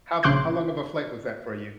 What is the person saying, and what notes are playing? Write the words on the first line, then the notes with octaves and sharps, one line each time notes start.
How how long of a flight was that for you?
A#1 C#3 C6 D6 F#6 G6